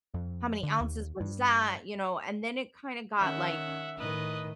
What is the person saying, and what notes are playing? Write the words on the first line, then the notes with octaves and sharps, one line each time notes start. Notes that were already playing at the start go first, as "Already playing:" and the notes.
How many ounces was that?" You know, and then it kinda got, like
F2
D3
D#2
G2
D#3 C#4 E5 F#5
A2 D#3 B4 D#5